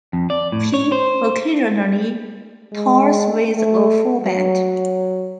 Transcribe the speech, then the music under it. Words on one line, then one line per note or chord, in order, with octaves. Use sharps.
He occasionally tours with a full band.
F2
D5
A2
C#5
C5
G#3
A3
F#3